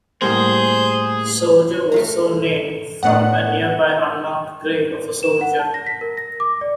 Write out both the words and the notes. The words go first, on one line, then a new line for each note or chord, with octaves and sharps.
Soldier was so named from a nearby unmarked grave of a soldier.
A2 G3 A#3 G#4 C5
A3 F5 A#5
A2 B3 D4 F#5
E7
F#5
A5
A#6
B6
A#4
A#6
D6
D5